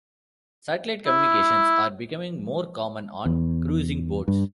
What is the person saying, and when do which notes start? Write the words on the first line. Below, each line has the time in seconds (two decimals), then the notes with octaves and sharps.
Satellite communications are becoming more common on cruising boats.
1.07 E4
3.26 E2
4.28 G2